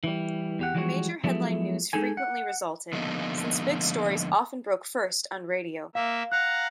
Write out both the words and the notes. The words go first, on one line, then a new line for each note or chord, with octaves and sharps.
Major headline news frequently resulted, since big stories often broke first on radio.
E3 G3
E2 G4 F#5
E3 F3 G3 G#3 F#4 C#5
F3 F#3 G#3 A3 B3 E4
G#3 D#4 G#4 A4 G#5
F#5
D3 F3 G#3 A#3 B3 D#4
A#3 E5 F5
F5 F#5 A#5 F#6